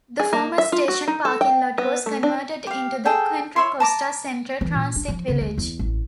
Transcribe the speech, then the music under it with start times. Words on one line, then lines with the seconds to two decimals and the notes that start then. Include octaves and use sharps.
The former station parking lot was converted into the Contra Costa Centre transit village.
0.20 G#4
0.33 A#3
0.58 E5
0.72 F4
0.88 F#4
1.08 D#4
1.25 A4
1.41 G5
1.78 B3
2.06 A3
2.23 D4
2.67 G4 F5
3.05 G#4 A4 G5
3.56 C#5 E5 C6
3.80 A5 A#5 D6
4.61 E3
4.74 A#2
4.96 D4
5.08 F3
5.28 C#3
5.41 D2
5.58 E2
5.79 A1